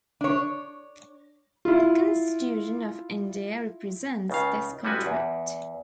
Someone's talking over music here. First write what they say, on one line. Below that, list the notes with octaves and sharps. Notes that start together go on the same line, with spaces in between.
The Constitution of India represents this contract.
D4 C#5
E4 F4
C#2 C#3 F5
A1 G3 G#3 F#4 B4 G#5
E2